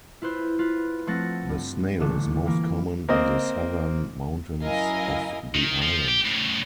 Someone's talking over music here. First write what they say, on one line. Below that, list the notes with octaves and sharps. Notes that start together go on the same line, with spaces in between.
The snail is most common in the southern mountains of the island.
E4 F4 B4 C5
F4 B4
F3 A3 C4 F#5 A6 A#6
G2
A1 D3 A3
E3 A#3
A#3 C4 D#5
F#2 E4 A#4 D#5 F5 G#5
D#3
F3
G4
A2 C#3